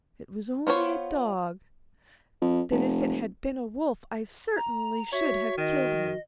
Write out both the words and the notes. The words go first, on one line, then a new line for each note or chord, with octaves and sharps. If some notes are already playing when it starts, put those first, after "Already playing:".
'It was only a dog, then if it had been a wolf I certainly should have killed him....'
B3 F4 C5 C#5
F2
F1
A#5
F#4 C#5 E5
D#3 D#5